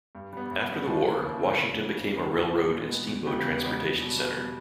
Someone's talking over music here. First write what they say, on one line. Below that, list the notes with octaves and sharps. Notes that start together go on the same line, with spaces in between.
After the war, Washington became a railroad and steamboat transportation center.
G2
G3 B3
G2
G3 B3
D#2
C#3 E3 A#3 E4
D#2
C#3 E3 A#3 E4
E1
D#2 C#3 E3 A#3
E1
D#2 C#3 E3 A#3
A#2
G#3 B3
A#2
G#3 B3
E2
C#3 G#3 B3 G4
E2
C#3 G#3 B3 G4
E2
B2 G3
E2
B2 G3